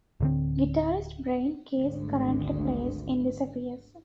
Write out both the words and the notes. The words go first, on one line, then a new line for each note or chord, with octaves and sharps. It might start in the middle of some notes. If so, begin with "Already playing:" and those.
Guitarist Brian Case currently plays in Disappears.
D1 D3 C4
G#1 D2